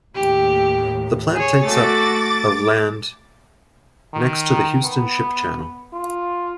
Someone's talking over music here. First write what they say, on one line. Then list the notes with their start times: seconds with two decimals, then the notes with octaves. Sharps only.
The plant takes up of land next to the Houston Ship Channel.
0.15 D#2 A2 G4
1.34 G#4 C#5
1.65 A3 F#4 D6 A6
4.14 D#3
4.84 B3
5.94 F4